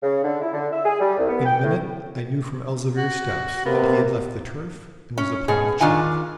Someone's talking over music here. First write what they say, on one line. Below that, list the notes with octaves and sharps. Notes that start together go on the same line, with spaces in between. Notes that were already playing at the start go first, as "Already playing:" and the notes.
In a minute I knew from Elzevir's steps that he had left the turf and was upon the chalk.
C#3
D3
E4
D3
E5
G#4
G3
C2
B3
G5
A2
F#4
C3 A#3 B3
C#4
B2 G#4
D#3 D4 F4 G#5